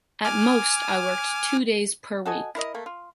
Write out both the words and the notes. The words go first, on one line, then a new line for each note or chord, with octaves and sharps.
At most, I worked two days per week.
G#5 D6 F6
F#4 A4 D#5 G#5
E4 A#4 D#5
A3 A#3
F4